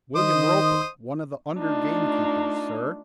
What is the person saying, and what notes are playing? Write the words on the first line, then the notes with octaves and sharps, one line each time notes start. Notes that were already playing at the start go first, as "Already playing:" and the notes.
"William Roper, one of the under-gamekeepers, sir."
D#3 C5 D#5 D#6
A3 D4 D#4 F4